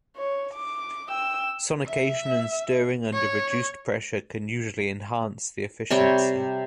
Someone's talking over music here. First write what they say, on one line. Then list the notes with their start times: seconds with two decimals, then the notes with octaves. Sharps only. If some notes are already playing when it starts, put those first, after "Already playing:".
Sonication and stirring under reduced pressure can usually enhance the efficiency.
0.16 C#5
0.54 D6
1.09 G5 E6
1.87 E5
3.13 C#5
5.91 C3 G3 C#5 G5